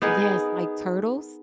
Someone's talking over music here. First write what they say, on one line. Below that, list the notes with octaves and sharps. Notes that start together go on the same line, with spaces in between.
Yes, like Turtles?
B3 D#4 G#4 A#4